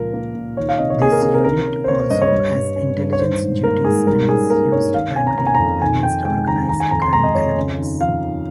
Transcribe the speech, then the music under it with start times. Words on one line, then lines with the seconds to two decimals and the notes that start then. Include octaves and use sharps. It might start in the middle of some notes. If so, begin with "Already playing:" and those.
This unit also has intelligence duties and is used primarily against organized crime elements.
Already playing: C#2 A#2 F3 A#4
0.13 A#3
0.35 A#2
0.57 D#3 C#5
0.69 F5
0.79 C3 D#5
0.90 C#5
1.01 A#3 G#4
1.12 A#4
1.22 C3 G#4
1.34 A#4
1.44 D#3 A#4
1.67 C#4
1.84 C5
1.88 A#3 C#5
2.00 C#5
2.10 G2 D#5
2.22 C#5
2.32 G3
2.54 G2
2.76 C#4
2.97 G2
3.13 C#5
3.19 D#3 C5
3.42 G#2
3.63 A#3 A#4
3.85 G#2 G#4
4.06 G3 A#4
4.29 C#4 G#4
4.50 A#3 A#4
4.72 G2 C#5
4.94 D#3 F5
5.16 C#4 G#5
5.27 A#5
5.38 A#3 A#5
5.47 G#5
5.55 F2 A#5
5.82 D#3 G#5
6.03 D#4 G5
6.25 G#3 G5
6.47 D#2 A#5
6.69 D#3 A#5
6.80 G#5
6.91 F2 A#5
7.02 C6
7.13 G#3 A#5
7.23 D#5
7.35 F2 C#5
7.57 C#3
7.78 D#2
8.00 F3 F5
8.23 D#2